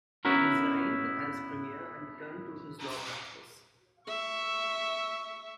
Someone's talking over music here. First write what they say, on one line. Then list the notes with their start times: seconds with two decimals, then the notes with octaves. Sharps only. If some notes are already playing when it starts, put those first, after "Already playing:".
He resigned as premier and returned to his law practice.
0.25 B3 C#4 E4 F#4 A#4
4.07 E5 C#6